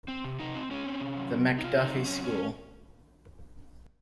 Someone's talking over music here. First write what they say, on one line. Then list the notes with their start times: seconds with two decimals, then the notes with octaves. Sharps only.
The MacDuffie School.
0.08 C4
0.24 C3
0.40 C3 D#4
0.55 C4
0.71 G#3 C#4
0.86 C4
1.01 C3
1.17 F#3
1.32 C3
1.48 C3
1.58 D#4
1.63 C3 F4
1.78 C4
1.84 D#4
1.94 F#3
2.05 C#4
2.10 C4
2.24 G#2 C#4